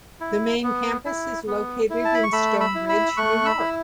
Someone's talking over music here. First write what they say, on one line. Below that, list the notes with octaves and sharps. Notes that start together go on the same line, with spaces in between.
The main campus is located in Stone Ridge, New York.
E4
B3
E4
B3
E4
A5
B5
C#6
A3 B5 E6
B5 E6
E4
B5 E6
A3 C#6 F#6
B5 E6
E4